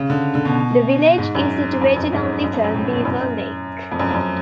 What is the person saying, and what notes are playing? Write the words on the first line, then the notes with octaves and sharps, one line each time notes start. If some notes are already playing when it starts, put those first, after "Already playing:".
The village is situated on Little Beaver Lake.
Already playing: C#3
D3
D3
B2
G#2
F#2
F2
F#2
G#2
F#2
F2
F#2
A2
B2
A2
F#2
F#2
F2
F#2
F2
F#2